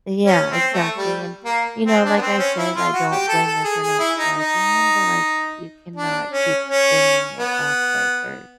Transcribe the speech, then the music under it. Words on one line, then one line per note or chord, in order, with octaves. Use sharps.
Yeah, exactly, and, you know, like I said, I don't blame her for not liking him, but, like, you cannot keep bringing it up, like, or,
C#4
C4
A3
G3
A#3
C4
D4
B3
C4
C#4
E4
F4
F#4
G4
A4
A4
G#4
G#4
E4
D#4
D#4
D4
C#4
C#4
B3